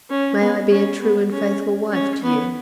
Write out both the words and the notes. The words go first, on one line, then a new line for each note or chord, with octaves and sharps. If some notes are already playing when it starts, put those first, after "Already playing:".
"May I be a true and faithful wife to you."
C#4
B3
C#4
B3
C#4
C#4
B3